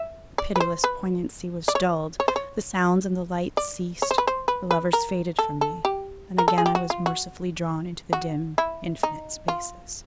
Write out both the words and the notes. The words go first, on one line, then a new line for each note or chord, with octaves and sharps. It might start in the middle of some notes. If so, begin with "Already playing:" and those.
The pitiless poignancy was dulled, the sounds and the light ceased, the lovers faded from me, and again I was mercifully drawn into the dim, infinite spaces.
Already playing: E5
D5
B4
C5
B4
D5
C#5
C#5
C5
C#5
D5
C#5
C5
B4
C5
B4
B4
A#4
A4
A4
G4
A#4
A4
G#4
G4
F#4
F4
F#4
F#4
E4
D#4
F4